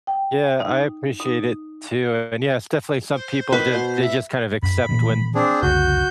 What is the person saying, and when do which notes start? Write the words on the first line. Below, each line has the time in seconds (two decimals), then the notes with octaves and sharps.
Yeah, I appreciate it too, and yeah, it's definitely some people just they just kind of accept when
0.07 G5
0.60 D#4
1.20 D#4
3.15 C5
3.52 D#3 B4
3.72 B2
4.01 E5
4.62 F#2 B5
4.89 A#2 D#3 E3
5.35 C4 D4 G#4
5.62 F#1 C#2 D3 F#4 G6